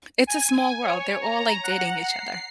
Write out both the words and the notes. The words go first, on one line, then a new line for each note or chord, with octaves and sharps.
It's a small world, they're all, like, dating each other.
G#5
C#5
A#5
F#5
C7